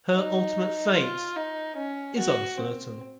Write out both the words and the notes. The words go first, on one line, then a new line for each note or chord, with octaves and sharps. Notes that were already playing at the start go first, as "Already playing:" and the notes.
Her ultimate fate is uncertain.
D#4
F4
D#4
C#4
F#4
C4